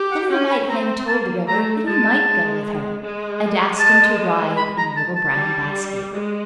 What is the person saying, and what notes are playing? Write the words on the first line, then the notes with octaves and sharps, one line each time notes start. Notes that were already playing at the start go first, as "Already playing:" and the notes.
The little white hen told the river that he might go with her and asked him to ride in the little brown basket.
Already playing: G4
F#5
C#4 G5
B5
C4 A#5
A#3 A5
A3 A#5
G#3 A5
G#3
G#3
A5
B5
A#5
A5
A5
G3
G#3